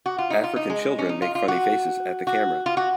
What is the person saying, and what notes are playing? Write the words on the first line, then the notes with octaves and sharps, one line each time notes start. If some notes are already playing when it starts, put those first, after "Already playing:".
African children make funny faces at the camera.
F#4
F4
D#4
F4
D#4
G#3
C#4
D#4
F4
F4
F#4
F#4
F4
F#4